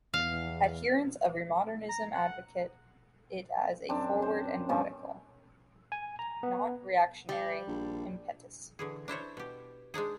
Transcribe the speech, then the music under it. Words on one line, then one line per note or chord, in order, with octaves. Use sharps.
Adherents of remodernism advocate it as a forward and radical, not reactionary, impetus.
E2 F5
A#5
F#5
F#2 C4 D4
C5
G2 B2 C#4
G#5
A#5
B3
G3
A#1
D3 E3 G#4
D4 E4 C5 C#5
B2 G4
G#3 D4 D#4 G#4